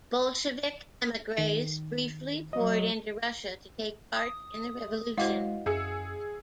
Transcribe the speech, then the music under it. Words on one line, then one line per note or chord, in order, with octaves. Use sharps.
Bolshevik emigres briefly poured into Russia to take part in the revolution.
D#3
F#3 D#5
D#6
G#3 E4 F#4 C5 D#5 F5 F#5
F#2 G#4 E6 C#7